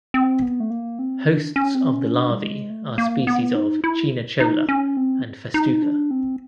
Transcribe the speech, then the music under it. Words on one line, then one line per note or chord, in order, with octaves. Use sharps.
Hosts of the larvae are species of "Chionochloa" and "Festuca".
C4
B3
A3
A#3
C4
D4
C#4
C4
C#4
D4
G3
G#3
A3
A#3
B3
D#4
E4
D#4
C#4
C4
D#4
D4
C4